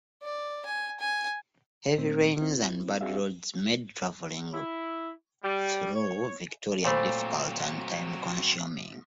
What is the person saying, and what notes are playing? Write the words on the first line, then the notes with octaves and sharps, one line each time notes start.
Heavy rains and bad roads made travelling through Victoria difficult and time-consuming.
D5
G#5
G#5
A#2 A3 C4
C4 E4
C4 F#4 G#4 D5 E5 F5
E4
G3
C#5
A#2 F#3 A3 C4 C5 B5